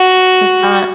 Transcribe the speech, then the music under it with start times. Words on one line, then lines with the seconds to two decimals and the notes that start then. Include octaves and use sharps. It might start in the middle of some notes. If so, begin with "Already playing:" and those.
It's not
Already playing: F#4